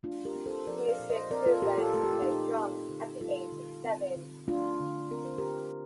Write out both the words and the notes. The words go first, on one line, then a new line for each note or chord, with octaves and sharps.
He is said to have learned to play drums at the age of seven.
A3 D4 F4
G4 A#4
C4
A4 C5
F3 A#4 D5
D5 F5
A#2
C5 D#5
C4 A#4 D5
F4 A4
A#2 G4 A#4
F4 A4
A3 A4
G4
F4
A#2 D#4 G4
C4
D3
G3 F4 A4
D3
C4
D3
A3 D4 F4
D3
C4 A#4
C5
D3 G4 A#4